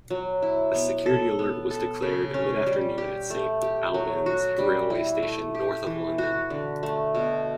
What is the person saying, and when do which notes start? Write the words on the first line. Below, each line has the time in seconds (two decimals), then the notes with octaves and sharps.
A security alert was declared, mid-afternoon, at Saint Albans railway station, north of London.
0.10 F#3
0.42 E4
0.74 B3
1.06 A4
1.39 B3
1.71 A4
2.02 C#3
2.34 C#4
2.67 G3
2.98 G4
3.30 A3
3.62 G4
3.94 F#3
4.26 F#4
4.59 G3
4.90 E4
5.23 A3
5.55 G4
5.86 E3
6.18 F#4
6.50 D3
6.83 A3
7.15 B2